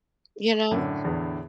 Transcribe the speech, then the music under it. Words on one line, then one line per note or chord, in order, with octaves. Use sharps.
you know?
F#2 A2 D3
E2